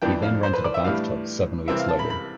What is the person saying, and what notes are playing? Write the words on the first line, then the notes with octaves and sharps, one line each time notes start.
He then rented a bathtub seven weeks later.
F2 E3 B3 D4 G5
F5
C5
B4
D5
E5
A2 E3 G3 D4 F5
C3 E3 G3 C4 E5
F5
A5
B5
B5